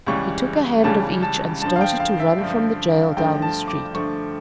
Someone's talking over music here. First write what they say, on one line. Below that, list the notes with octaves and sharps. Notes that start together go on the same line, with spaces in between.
He took a hand of each and started to run from the jail down the street.
C#2 C#3 E3 G3 C#4 C#6
C#2 C#3 E3 G3 C#4 A5
A5
G2 D3 F3 A5
F5
G5
F5
E5
G2 D3 F3
G2 D3 F3 A3 G5
A5
D6
G2 D3 F3 A3 C#6